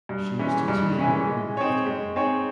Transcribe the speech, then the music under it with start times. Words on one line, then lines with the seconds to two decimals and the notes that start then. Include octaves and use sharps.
She was teaching in Norton at the time.
0.09 G2
0.39 E3 G#3 C#4
0.68 G2
0.98 E3 G#3 C#4
1.27 G#3
1.57 C4 D#4 G#4 C#5
1.86 G#3
2.16 C4 D#4 G#4 C#5